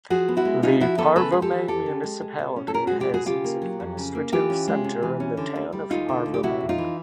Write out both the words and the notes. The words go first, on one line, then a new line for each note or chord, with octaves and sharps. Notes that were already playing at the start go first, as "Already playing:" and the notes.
The Parvomay Municipality has its administrative centre in the town of Parvomay.
F3 F#4 G#4
B3
E4 F#4
G#3
C#3 D#4 F4
F3 E4 F#4
B3 A4 B4
C#3 A4 B4
G#3 G#4
G4 A4
E3
F2 G4 A4
C#3
G#3
G#3
B2
C#4
A4
B2 G#4 A#4
G#3 F#4 G#4
F4 G4
B2 F#4 G#4
C#3 F4 G4
A#3
F#3
F2
C#3
A#3
E3 F4 G4
C#4
G#3
C3
E3
C#4
D3
D2
G3
D2 D#4 F4
D3
D2
G4
C3 E4 F#4
F2
D#4 F4
E3